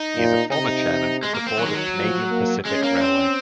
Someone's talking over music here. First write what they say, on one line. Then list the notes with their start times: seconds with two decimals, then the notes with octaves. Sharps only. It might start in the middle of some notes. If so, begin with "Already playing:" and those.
He is a former Chairman of the Board of Canadian Pacific Railway.
Already playing: D#4
0.17 A#2
0.52 C3 D#4
1.23 G#3
1.34 A#3
1.47 C4
1.58 D#3 F#3
1.66 G#3
1.74 F#3
1.94 F3
2.30 A#3
2.65 G#3 C#4
2.83 A#3
3.01 C4